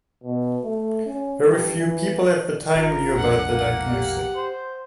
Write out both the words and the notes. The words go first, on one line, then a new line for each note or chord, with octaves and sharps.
Very few people at the time knew about the diagnosis.
B2
A3
C#4
G2
E3
D5
G#1 F4 A#4
B1 F2 G#2 D4 F#5
A#3
G4
C5